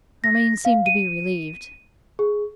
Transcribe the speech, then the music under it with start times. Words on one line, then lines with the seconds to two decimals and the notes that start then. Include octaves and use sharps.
Romayne seemed to be relieved.
0.24 A#6
0.65 F5
0.86 D#7
2.19 G#4